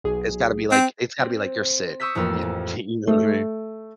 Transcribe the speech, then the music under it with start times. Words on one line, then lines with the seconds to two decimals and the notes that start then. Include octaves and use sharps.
It's gotta be, like it's gotta be, like, you're sick, you you know what I mean.
0.04 B1 G#4
0.71 C4
1.21 C4
2.00 C#6 D#6 E6 G6 B6
2.15 A1 F2 A#3 F4 E6 C7
2.42 A1
3.07 A3